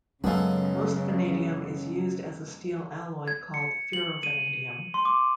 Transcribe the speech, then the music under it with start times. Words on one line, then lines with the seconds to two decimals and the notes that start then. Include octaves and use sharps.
Most vanadium is used as a steel alloy called ferrovanadium.
0.24 F#2 C#3 G#3 B3 C#4 A4 F5
3.28 G#6
3.54 C#7
3.93 F#7
4.23 D#7
4.94 C6
5.05 D6